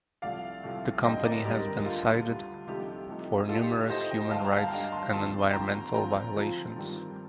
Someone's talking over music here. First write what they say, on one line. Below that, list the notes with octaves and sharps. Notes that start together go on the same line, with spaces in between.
The company has been cited for numerous human rights and environmental violations.
C2 C3 F3 A3 D5 F5
C2 C3 F3 A3
G2 D3 G3 C4 D#5 G5
A#4 D5
G2 D3 G3 C4 G4 A#4
D2 D3 G3 F4
D2 D3 G3
C2 C3 F3 A3 D#4 G4
C2 C3 F3 A3 D#4
A2 A3 D#4 F4 A4
G4
G4
A2 A3 D#4 C5 D#5
D#5 G5
G2 D3 G3 D4 F5 A5
G5 A#5
F5 A5
G2 D3 G3 D4 D#5 G5
A5 C6
D#2 D3 F3 C4 A5 C6
D#2 D3 F3 C4 G5 A#5
D3 F3 C4 F4 G5 A#5
D3 F3 C4 F4
G2 D#3 G3 C4